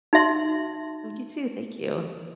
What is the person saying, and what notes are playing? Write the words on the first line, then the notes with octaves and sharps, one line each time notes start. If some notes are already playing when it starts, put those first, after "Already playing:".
Oh, you too, thank you.
D#4 F#4 E5 C6